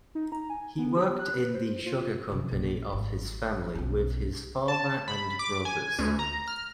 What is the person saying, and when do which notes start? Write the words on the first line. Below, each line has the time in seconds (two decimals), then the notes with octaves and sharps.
He worked in the sugar company of his family with his father and brothers.
0.15 D#4
0.32 A#5
0.50 G#5
0.79 B3
0.97 G4
1.19 F#6
1.34 B4
1.54 C5
1.86 F4
2.32 C3 F3
2.51 A#1
2.93 G#1
3.75 B1 C#4
4.68 A5
5.08 B5
5.39 D6
5.65 G#5
5.99 D2
6.19 A#5
6.47 F6